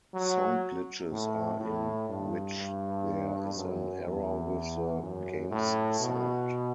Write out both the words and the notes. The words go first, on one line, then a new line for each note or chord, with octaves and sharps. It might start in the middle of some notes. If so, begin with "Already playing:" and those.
Sound glitches are in which there is an error with the game's sound.
F#3
A2
A2
G2
G2
F#2
E2
F#2
A2
B2